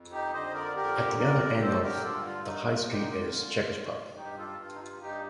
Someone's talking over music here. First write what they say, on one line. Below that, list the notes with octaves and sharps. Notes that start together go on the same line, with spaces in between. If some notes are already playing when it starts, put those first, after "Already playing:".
At the other end of the High Street is the Chequers pub.
Already playing: F2
D#4 G4
D3 C5 D#5
A#4 D5
F2 G4 A#4
D3 A#4 D5
D3 A4 C5
G4 A#4
G2 F4 A4
F4
D3 D#4
F4
D3 D#4 G4
F4
D3
G2
G2 D#4 G4
F4 A4
G2 F4
D#4
F4
G2 D#4 G4